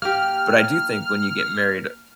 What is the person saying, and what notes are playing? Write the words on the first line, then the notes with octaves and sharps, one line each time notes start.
but I do think when you get married,
A#3 G4 F6